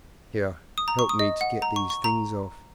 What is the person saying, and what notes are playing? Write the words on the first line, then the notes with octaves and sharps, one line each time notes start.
"Here, help me to get these things off."
D#6
A#5
C#6
D#6
D#5
F#5
A#5
C#6
C#6
A#5